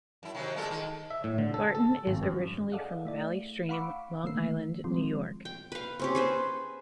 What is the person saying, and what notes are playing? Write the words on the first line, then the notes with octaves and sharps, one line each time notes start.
Barton is originally from Valley Stream, Long Island, New York.
F#2 E4
C3 D#3 F#3
A#2 G#3 A4
D#3
E5
A2
D3
A4
A4
G#1
F#2
G#4 A4 D5 D#5 F5 F#5
A3 E4 D5
F5 F#5 B5 C#6 D6 E6
D#3 A3 A#3 E6 C7
D#3 F3 G3 G#3 C4 F4
G5
B4 F5
C4 C#4 G4
G#4 B4 C5